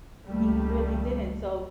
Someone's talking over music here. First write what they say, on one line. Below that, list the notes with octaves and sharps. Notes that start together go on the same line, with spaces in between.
he really didn't, so
C#2 D#3 G3 A3 A#3